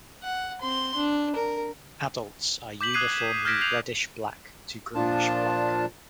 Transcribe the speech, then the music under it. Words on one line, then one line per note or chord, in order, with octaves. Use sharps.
Adults are uniformly reddish black to greenish black.
F#5
C4 C6
D4
A#4
D6 G6 B6 F#7
D#6 F#6 G#6 C7 D#7 F#7
E7
F6 G6 G#6 A#6 B6 D7
G6 C7 F7 F#7
A#2 F3 D4 F4 A5